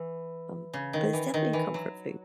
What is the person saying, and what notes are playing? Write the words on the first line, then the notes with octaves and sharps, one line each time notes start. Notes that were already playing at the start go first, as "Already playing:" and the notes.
Um, but it's definitely a comfort food.
Already playing: E3
C#3
D#3
E3
D#3
E3
F#3